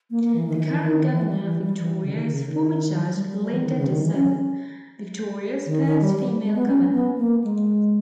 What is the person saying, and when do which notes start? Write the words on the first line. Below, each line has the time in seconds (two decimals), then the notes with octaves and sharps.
The current Governor of Victoria is former judge Linda Dessau, Victoria's first female governor.
0.11 A#3
0.24 A#3
0.36 E3
0.48 D#3
0.57 E3
0.64 D#3
0.72 E3
0.81 D#3
1.11 E3
1.29 G3
1.45 E3
1.62 G3
1.79 E3
2.03 C#3
2.13 D#3
2.30 C#3
2.46 D#3
3.14 G3
3.27 G3
3.39 G3
3.52 E3
3.64 D#3
3.77 C#3
3.90 D#3
4.03 E3
4.15 C#4
5.66 D#3
5.84 D#3
6.01 G3
6.17 G3
6.43 G#3
6.55 B3
6.68 C#4
6.93 B3
7.18 A#3
7.44 G#3